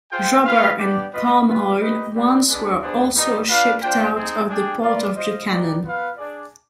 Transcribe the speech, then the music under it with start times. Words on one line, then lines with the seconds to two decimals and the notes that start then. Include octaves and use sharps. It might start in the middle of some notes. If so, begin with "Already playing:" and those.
Rubber and palm oil once were also shipped out of the Port Of Buchanan.
0.11 F4 G#4 C5 G5
0.45 F4 B4 F5
0.79 B3 D4 G4 D5
1.12 F4 B4 D#5
1.46 G#3 B3 F4 B4
1.80 D#4 G4 B4 D#5
2.14 C4 G4 B4 D5
2.48 G#3 B3 D4 G#4
2.80 B3 D4 G#4 C5
3.15 G3 B3 D#4
3.48 D4 F4 B4 F5
3.82 D4 F4 C5 G5
4.15 C4 D#4 G#4
4.49 D4 G#4 D5 G5
4.83 F4 B4 D5
5.16 F4 C5 D#5
5.50 B3 D#4 G4 D5
5.83 B3 F4 B4 F5
6.17 D4 G#4 D5